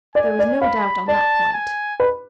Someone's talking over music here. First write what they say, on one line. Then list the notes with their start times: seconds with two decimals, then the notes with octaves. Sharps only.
There was no doubt on that point.
0.15 D5 G#5
0.39 D5
0.61 F5 B5
1.08 D5 A5
1.53 G#5
2.00 B4